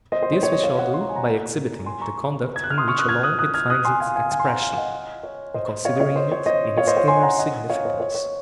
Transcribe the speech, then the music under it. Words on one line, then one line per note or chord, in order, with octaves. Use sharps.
This we shall do by exhibiting the conduct in which alone it finds its expression, and considering it in its inner significance.
C5 D#5
C5
C#5
C#5
C5 D#5
C#5 F5
D#5 F#5
C6
A#5
G#5
F#5 A#5
G#5 C6
A#5 C#6
G#6
F#6
F6
C6 D#6
C#6 F6
D#6 F#6
F6 G#6
D#6 F#6
D#6 F#6
F6 G#6
D#6 F#6
G#5 C6
F5 G#5
F5 G#5
F5 G#5
C6
F#5 A#5
F5 G#5
F5
D#5 F#5
C#5
C5 D#5
C#5 F5
D#5
C#5 F5
C5 D#5
C#5
C5 D#5
C#5 F5
C5 D#5
C#5
G#5 C6
F#5 A#5
D#5 F#5
C#5 F5
C5 D#5
C#5
C#5